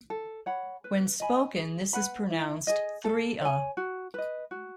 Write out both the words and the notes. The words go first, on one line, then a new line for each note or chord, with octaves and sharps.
When spoken this is pronounced 'three-a'.
A4
C#5 F#5 B5
B4
D#5 G#5 B5
G#4
B4 F#5 B5
E4
G#4 D#5
A4
C#5 G#5
F#4
B4 D#5
F#4